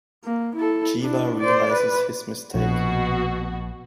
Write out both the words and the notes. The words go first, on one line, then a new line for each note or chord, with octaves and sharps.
Jeeva realises his mistake.
A#3
E4 A4
D4 E4
C5 D5
B4
A#1 B2 F#4